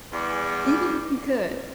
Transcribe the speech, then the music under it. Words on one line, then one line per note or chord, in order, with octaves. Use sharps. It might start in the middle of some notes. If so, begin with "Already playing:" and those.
Even if you could,
E2 G3